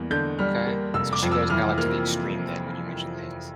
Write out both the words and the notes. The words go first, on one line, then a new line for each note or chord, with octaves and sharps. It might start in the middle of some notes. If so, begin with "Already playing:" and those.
Okay. So she goes kinda, like, to the extreme then when you mention things.
Already playing: E2 G3 A#3
D3 G6
G3 F6
A#3
F1 E6
D6
F2
E6
E3 F6
A#3 F6